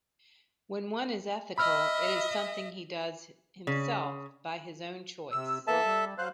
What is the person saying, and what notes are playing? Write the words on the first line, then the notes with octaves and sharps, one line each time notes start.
When one is ethical, it is something he does himself by his own choice.
D#5 E5 B5 E6 F6
C#3
C3 E6
E3 A#3 B3 A4 E5 A5
G3
F#3 C5 F5 F#6